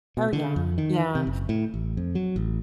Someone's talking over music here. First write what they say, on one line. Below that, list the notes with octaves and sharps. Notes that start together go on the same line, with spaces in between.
Oh, yeah. Yeah.
B2
D3
F2
D#3
C3
F#1
A2
A1
F2
F#3
A1